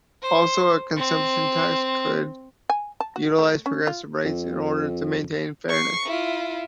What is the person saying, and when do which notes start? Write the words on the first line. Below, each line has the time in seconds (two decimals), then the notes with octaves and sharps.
Also, a consumption tax could utilize progressive rates in order to maintain fairness.
0.22 C5
0.96 C4
2.70 G#5
3.00 A5
3.16 F#4
3.39 A3
3.66 C#4
3.87 F4
4.25 F2
5.69 C#6 C7
6.06 E4 F4